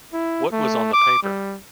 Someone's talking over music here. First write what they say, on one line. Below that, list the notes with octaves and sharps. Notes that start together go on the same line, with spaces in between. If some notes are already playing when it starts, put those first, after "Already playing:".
What was on the paper?
E4
A3
D6
G3